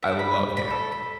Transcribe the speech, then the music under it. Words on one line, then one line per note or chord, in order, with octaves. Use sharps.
I love ham,
E5
B5
B5
A4
B5